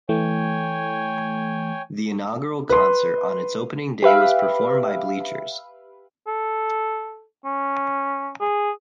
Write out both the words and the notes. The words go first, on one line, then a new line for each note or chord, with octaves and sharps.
The inaugural concert on its opening day was performed by Bleachers.
E3 A3 C#5 G5 G#5
B4 C6
G4 B4 E5 F5
A4
C#4
G#4